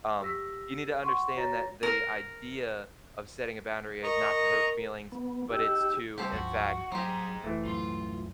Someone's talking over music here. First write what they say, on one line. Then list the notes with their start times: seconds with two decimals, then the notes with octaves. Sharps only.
um, you need to understand that the idea of setting a boundary is not to hurt feelings, but, it's to, in fact
0.21 G4 E6 A#6 B6
1.03 F#5 C6 C#6
1.37 F#4 C#5 A#5 A6 A#6
1.83 A#4
4.03 A#4 D#5 A#5 C#6
5.12 B3
5.50 D#4 G4 E6
6.18 C2 G4 A4 C5
6.32 C#2 G2 F3 F#4
6.92 F#3 G#3 C4 D#4 G4
7.44 F#1 E3 A3
7.65 C2 F#2 A2 F4 C6